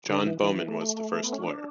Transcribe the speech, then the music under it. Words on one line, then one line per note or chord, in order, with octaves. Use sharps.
John Bowman was the first lawyer.
D3
E3
E3
A3
B3
C#4
D4